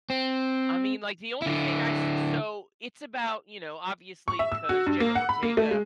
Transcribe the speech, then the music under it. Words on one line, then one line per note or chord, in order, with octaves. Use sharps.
I mean, like, the only thing I s so, it's about, you know, obviously, 'cause Jenna Ortega
C4
D3 E4
C#6
E5
E6
F#4
G2
A#3
F#5
B5
A#3
A3
G#3